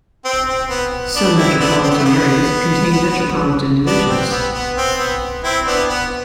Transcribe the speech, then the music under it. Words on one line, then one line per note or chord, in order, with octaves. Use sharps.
Some metropolitan areas contain metropolitan divisions.
C4
C4
B3
B3 D4
C4 E4
B3 D4
C4
B3
A3
B3
B3 D4
C4
B3
B3
C4
B3
C4 E4
B3 D4
B3